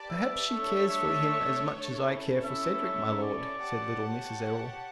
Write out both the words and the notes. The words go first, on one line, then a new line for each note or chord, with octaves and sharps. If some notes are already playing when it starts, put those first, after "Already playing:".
"Perhaps she cares for him as much as I care for Cedric, my lord," said little Mrs. Errol.
Already playing: G4 B4 D5 A5
E5
A3 D4 A4 C#5
E5
C#4 E4 A4 C#5
E5
D5
G4 C#5 F#5 A5